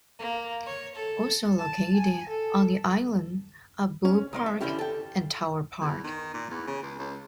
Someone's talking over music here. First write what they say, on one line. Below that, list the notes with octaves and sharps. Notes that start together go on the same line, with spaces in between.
Also located on the island are Blue Park and Tower Park.
A#3
C#5
A4
A5
G#5
A4
C#4
C2 A#3 C6
E5
D3 E3 C#4 E4 G4
A4 G5
E2
D#3
A#2
E2
C#3
C#2
C#2